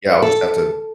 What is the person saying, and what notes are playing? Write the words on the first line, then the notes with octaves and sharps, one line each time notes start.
Yeah, I'll just have to
A4